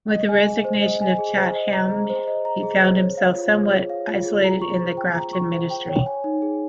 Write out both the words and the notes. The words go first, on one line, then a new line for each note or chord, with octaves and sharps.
With the resignation of Chatham, he found himself somewhat isolated in the Grafton Ministry.
D#5
G#5
G#4
C5
D#5
G#5
G#4
C5
D#5
A#5
G#4
C5
D#5
A#5
G#4
C5
C#5
F5
F4
G#4
C#5
F5
F4
G#4
A#5
C#6
C5
G5
A#5
C#6
C5
G5
C#5
G#5
D#4
G#4